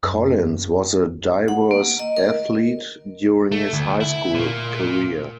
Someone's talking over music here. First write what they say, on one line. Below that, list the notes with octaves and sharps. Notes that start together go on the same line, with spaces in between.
Collins was a diverse athlete during his high school career.
F#2
F#5
A#3
D#5
A#4
A3
D2
E4
A#2 A#3